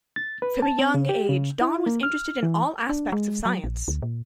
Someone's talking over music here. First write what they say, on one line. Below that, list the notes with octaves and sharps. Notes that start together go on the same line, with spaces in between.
From a young age Don was interested in all aspects of science.
A6
B4
A5
C4
C#3
G4
C#3
E4
A#3
F6
E3
D4
G#3
F#3
A#1
D2
A#2